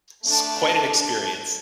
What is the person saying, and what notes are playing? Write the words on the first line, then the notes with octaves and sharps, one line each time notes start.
It's quite an experience.
A3 D4 A5